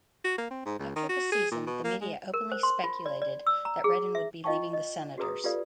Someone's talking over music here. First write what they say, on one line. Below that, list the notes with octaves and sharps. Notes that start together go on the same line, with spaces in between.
After the season, the media openly speculated that Redden would be leaving the Senators.
F#4
A#3
C4
G#2
C#2
D#3
F#4
G#4
A#2
B2
A#3
G#3
A#4
C5
C6
F4
D5
D5
E6
A#5
G#4
E5
F4 D#5 F5 G5 A5 C#6
D#5
F#4 G#4 B4 A#5 D#6
F4 G4 A4 B4 D5 F5